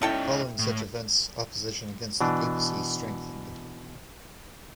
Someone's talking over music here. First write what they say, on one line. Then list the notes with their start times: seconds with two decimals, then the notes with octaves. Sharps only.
Following such events opposition against the papacy strengthened.
0.02 C#4 D#4 E4 A4 G5
0.59 A2
2.21 B2 E3 D4